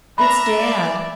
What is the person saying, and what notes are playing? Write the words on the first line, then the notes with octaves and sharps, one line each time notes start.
It's dad.
D4 E5 A#5 B5
D5